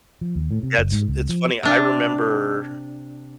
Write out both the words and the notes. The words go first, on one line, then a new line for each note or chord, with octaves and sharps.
That's it's funny, I remember
F3
D#2
A2
C3
F#1
G#2
C#2
F3
C3 D4